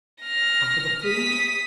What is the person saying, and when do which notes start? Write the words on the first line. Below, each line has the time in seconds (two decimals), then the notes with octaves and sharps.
And for the food!
0.23 F6 A#6
1.04 D#6 B6